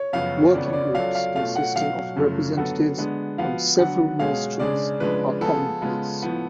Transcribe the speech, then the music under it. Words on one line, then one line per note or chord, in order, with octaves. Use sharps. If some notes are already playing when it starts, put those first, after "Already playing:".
Working groups consisting of representatives from several ministries are commonplace.
Already playing: C#5
F#2 C#3 F3 B3 F5
F2 C#3 F3 B3 D5
C#5
D5
F#3 C#4 F4 A4 F5
F5
B2 A3 C#4 F4 F5
F#5
B2 F#3 C#4 F5
F#2 C#3 F3 A3 F4
D3 F#3 B3 F#4 A4
D3 G#3 B3 D4
F3 B3 F#4 F5
D3 F#3 B3 F#5
B2 G#3 C#4 G#4 F5
C#3 G#3 D4 G#4 D5
C#3 F3 G#3 D4 B4
F3 B3 F4 G#4 A4
C#3 G#3 B3 F4
A2 F3 B3